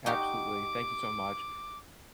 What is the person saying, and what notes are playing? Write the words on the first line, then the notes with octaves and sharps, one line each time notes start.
Absolutely. Thank you so much.
D#4 F#4 G4 D6